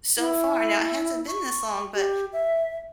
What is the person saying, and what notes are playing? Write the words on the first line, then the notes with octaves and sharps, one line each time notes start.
so far. Now it hasn't been this long, but
E4
C#6
G4
E5